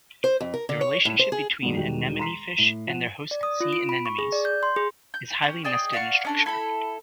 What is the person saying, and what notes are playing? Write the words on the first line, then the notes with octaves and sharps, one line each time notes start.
The relationship between anemonefish and their host sea anemones is highly nested in structure.
C5
F2
A#4
D3
C#5
A2
C5
G#4
G2 D#3 F#3 G#3 B3
E1 D#3 G3 F#4 G5
A#5 C6 B6 C7
A2
F3 F#5
D5
D#6
F4
D7
B5
C#6
G#4
D5
G6
C6
G#4
G6
C#4 G4
G#4 D5 D#5 G5
D5 F5 F#5 C#6
C#4 D4 A4
E4 A4 B5